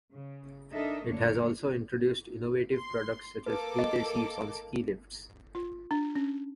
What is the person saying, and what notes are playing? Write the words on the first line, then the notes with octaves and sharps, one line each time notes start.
It has also introduced innovative products such as heated seats on ski lifts.
C#3
D4 D#4 A4 A#4 D#5 E5
F#2 A2 D3 A#3 D4 C#5
C6
A#3 A4 B4 D6
D#5
F4
D4
C#4